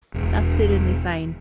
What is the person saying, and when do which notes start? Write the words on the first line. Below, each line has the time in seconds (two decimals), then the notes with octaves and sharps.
That suited me fine.
0.14 E1